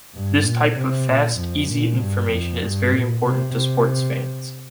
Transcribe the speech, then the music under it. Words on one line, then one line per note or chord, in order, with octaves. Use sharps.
This type of fast, easy information is very important to sports fans.
G2
A#2
C3
A#2
F2
A#2
G2
F2
G2
A#2
C3
C3